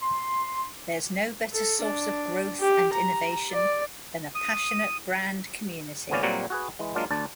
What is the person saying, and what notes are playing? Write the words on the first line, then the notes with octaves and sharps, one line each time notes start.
There's no better source of growth and innovation than a passionate brand community.
C6
A4
D4
G4
A#5
D5
D#6
G#1 A#2 C#3 B3 C#4 D5
A#2 F#3 G3 A#3 C4 F#4
F#4 G#4 B4
E3 G#3
F#3 G#3 A#3 D4 F4
D2 D4 A5